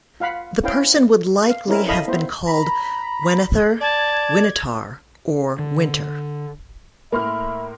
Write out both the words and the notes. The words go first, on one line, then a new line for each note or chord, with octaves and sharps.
The person would likely have been called "Wenether", "Winitar" or "Winter".
F4 F5 F#5 B5
C4 C#4 E4 B4 F5 G5
F5
C4 C#4 D#4 E4 A#4
E4 A4 D#5 F5 B5
B3 C4 E4 C5
A#5 B5
D5 A5 G#6
D3
A2 A#3 A#4 E5 B5 C6 F6